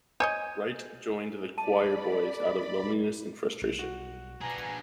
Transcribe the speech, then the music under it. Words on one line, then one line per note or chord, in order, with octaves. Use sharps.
Wright joined the choirboys out of loneliness and frustration.
C5 C#5 D#5 G#5 G6 G#6 D#7
D5 A5 B5 D#7
B1 G3
F#4
D4 G#4 B4 G#5 A#5